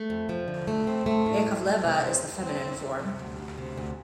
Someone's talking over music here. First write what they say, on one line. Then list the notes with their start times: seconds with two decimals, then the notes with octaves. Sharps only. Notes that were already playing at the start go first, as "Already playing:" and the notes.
Yakovleva is the feminine form.
Already playing: A3
0.10 F2
0.29 F3
0.48 D3
0.67 A3
0.87 C4
1.06 A3
1.26 A2
1.45 C4
1.65 A3
1.84 C3
2.04 C4
2.23 C4
2.42 C4
2.61 E4
2.80 C3
2.99 C3
3.19 D2
3.39 D2
3.58 C3
3.78 D2